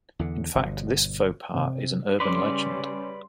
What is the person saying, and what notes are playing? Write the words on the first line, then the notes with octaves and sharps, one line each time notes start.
In fact, this faux pas is an urban legend.
E2 D3
G1 B2
C3
C#3 G3 C#4 B4 D5 C6